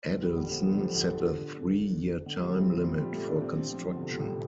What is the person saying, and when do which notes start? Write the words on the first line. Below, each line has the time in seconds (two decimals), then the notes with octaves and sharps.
Adelson set a three-year time limit for construction.
0.09 F3
0.22 G3
0.36 D3
0.51 F3
0.66 G3
0.75 D3
0.81 F3
0.95 D3
2.26 D3
2.36 F3
2.40 G3
2.48 A3
2.54 C4
2.74 G3
2.84 F3
2.99 G3
3.12 A3
3.28 D4
3.42 C4
3.71 F3
3.96 D3
3.99 C3
4.11 C3
4.19 A2